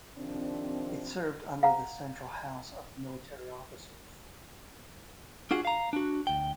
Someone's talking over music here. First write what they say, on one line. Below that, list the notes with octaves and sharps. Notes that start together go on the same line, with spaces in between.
It served under the Central House of Military Officers.
C3 D#3 F3 C4 D4
F5 F#5 A#5
D4 F4 F#4 G#4
F5 A#5
D4 F#4
D2 G5